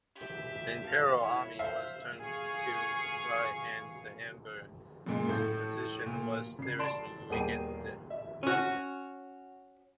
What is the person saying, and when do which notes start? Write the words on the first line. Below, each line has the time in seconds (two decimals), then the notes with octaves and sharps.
The imperial army was turned to flight and the Emperor's position was seriously weakened.
0.15 G4 E5
0.84 A4 F5
1.21 E4 C#5
1.59 C5 E5 F5
2.20 G#4 F5 C#6
5.06 F#2 A#2 G#3
5.29 A2 A3 G6
6.06 A#2
6.59 C#3 C7
6.79 D5 A5 C6 D7 E7
7.30 D#1 A#3 B3 G#4 G5 D#7
8.10 E5
8.43 C#4 F#4